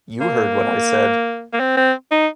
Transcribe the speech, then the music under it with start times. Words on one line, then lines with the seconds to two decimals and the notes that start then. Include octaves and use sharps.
You heard what I said.
0.21 A#3
1.53 A#3
1.60 C4
1.77 C4
2.11 D#4